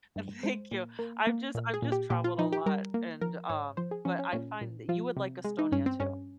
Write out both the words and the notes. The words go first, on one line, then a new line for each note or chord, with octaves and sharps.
uh, thank you. I've just I've just traveled a lot, and, um but I find that you would like Estonia too.
G2
G#3 C5
A#2
A#3
A#3
A#2
G#4
A#2
G4
A#2 G4
F4
F3 D#4
G4
G3 A#4
A#3
F3 A#4
G#2 C#5
F3 C5
G#4
F3 C#4
C#4
A#2 C#4
A#2
F3 F4
C3
G#3
D#4
G2 C#4
C4
G2 C#4